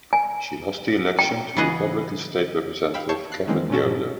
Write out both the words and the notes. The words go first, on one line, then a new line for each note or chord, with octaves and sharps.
She lost the election to Republican State Representative Kevin Yoder.
G#5
G5
C#3 E3 B3 G#4 D#5 F#5
F5 G5 B5 E6
C#5 A5 C#6 G6 C7
F#6 C7
D#3 E3 G#3 A#3 C4 C#4
A#2 C#3 C#4 F#4 A4
G2 A#2 F3